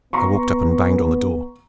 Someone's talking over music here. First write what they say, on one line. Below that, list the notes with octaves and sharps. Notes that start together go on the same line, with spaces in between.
I walked up and banged on the door.
B3 A#5 C6 C#6